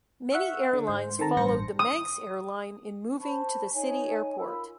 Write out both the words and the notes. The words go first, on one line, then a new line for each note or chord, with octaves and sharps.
Many airlines followed the Manx airline in moving to the City airport.
E5 F#5 C#6 E6 F6
D3
G#2 C5
D#3 C4 A4 A5 A#5
A1 G2 C5 A#6 C#7
D#6
C5 A5 B5 C#6
D#4 C#5 G#5
F4 A#4 B5 E6